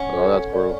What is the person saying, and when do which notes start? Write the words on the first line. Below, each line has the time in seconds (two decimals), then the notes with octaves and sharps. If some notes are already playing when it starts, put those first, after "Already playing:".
Oh, that's brutal.
Already playing: C#4 F#5
0.13 A4
0.53 D5